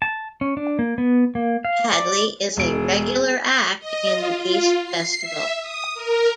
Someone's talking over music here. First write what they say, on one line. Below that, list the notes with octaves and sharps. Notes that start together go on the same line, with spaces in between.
Hadley is a regular act in The East Festival.
A5
C#4
D4
A#3
B3
A#3
F5
D5
E1 G#4 D7
D#5
F4
F4
C7
E5
D#6
A#4